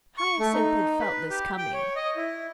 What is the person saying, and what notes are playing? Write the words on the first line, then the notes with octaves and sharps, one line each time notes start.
Hyacinth had felt this coming.
C#6
A3
D#4
B4
G4
G5
C#5
D#5
E4